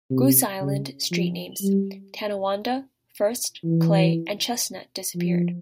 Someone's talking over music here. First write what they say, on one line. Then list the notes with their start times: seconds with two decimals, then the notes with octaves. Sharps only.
Goose Island street names Tonawanda, First, Clay and Chestnut disappeared.
0.10 C3
0.61 C#3
1.11 F3
1.62 G3
3.64 E3
5.15 F3